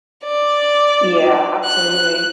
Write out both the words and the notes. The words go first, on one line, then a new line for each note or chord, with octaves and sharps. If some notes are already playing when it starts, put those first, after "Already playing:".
Yeah, absolutely.
D5
F#6